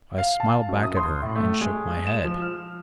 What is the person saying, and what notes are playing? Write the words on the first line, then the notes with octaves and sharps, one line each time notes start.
I smiled back at her, and shook my head.
F5
A5
F#2
D#6
C6
A2
A3
G#3
E7
F3
F6